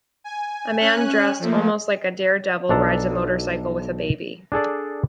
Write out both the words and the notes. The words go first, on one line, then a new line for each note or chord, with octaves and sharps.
A man dressed almost like a daredevil rides a motorcycle with a baby.
G#5
C#4 G#5 F#6
F3 A3 A#3
B1 D4 A4 A#5
D4 G#4 A4 D5